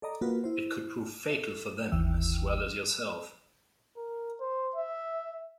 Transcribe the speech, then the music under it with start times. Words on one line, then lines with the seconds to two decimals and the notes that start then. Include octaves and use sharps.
It could prove fatal for them as well as yourself.
0.02 A4 D5 D#5 A#5
0.21 A#3 F4 F#4 A#4 B4
0.44 E4 C5
1.30 A4 E5
1.92 G1 D#2 E3 E5 G5 E6
3.97 A#4
4.41 C5
4.76 E5